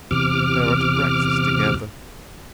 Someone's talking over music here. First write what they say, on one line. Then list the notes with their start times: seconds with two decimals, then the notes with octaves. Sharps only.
They are at breakfast together.
0.11 E2 C3 D6 F6